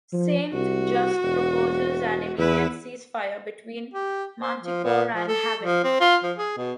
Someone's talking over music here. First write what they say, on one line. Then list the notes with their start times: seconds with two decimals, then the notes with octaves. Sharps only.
Saint-Just proposes an immediate cease-fire between Manticore and Haven.
0.13 F3
0.53 C2 F#4
1.22 E1
2.38 E2 E4 B4
3.94 G4
4.42 C5
4.62 F3
4.84 A#2
5.15 F3
5.28 A4
5.63 F3
5.84 C4
6.00 F4
6.23 F3
6.38 G#4
6.57 B2